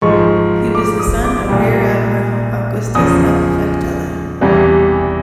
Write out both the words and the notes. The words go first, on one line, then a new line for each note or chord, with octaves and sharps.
He was the son of Rear Admiral Augustus F. Fechteler.
G#2 F3 G#3 C#6
D6
D#6
D6
C2 A#2 G3
E2 C#3 F3 D#6
E2 C3 E3 G3